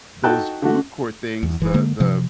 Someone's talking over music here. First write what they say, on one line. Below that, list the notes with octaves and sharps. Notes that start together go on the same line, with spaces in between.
those food court things, the the
D#4 F#4 A4 G5 A5 F#6
D3 A3 F#4
E2
F#1 E3
D3 G#3 A#3
C3 F3